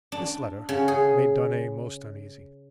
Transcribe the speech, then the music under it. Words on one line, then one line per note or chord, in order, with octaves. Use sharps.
This letter made Darnay most uneasy.
D4
C#3
G#4